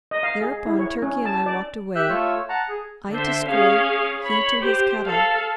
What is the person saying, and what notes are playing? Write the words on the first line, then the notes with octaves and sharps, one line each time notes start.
Thereupon Turkey and I walked away, I to school, he to his cattle.
D#5
F5
G#4
E4
C#5
C#4
A5
D5
G4 E5 E6 F#6 G6
A3 F4 C#5 E6
F#5 A5 A#5
G#4
D3 C5 E5
C#4 G#4 F5
C#5 B5
G4 C5
A4 F5